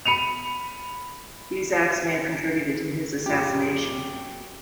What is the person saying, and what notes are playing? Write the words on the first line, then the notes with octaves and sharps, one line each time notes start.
These acts may have contributed to his assassination.
B5 C#7 D#7 F7
F#2 A#2 C#4 F4 G4 G#4